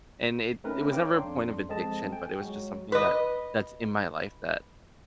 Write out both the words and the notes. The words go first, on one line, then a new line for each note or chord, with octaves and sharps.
And it it was never a point of addiction, but it was just something that that's in my life that
A3 C4 C#4 D#4 A#4 B4
C#5 F5 G5 A#5 D6
F2 D4 C6
F3 G#3 C4 A4 D#5 A5
G5 G#5
F#3 G#3 F#4
B4 D#5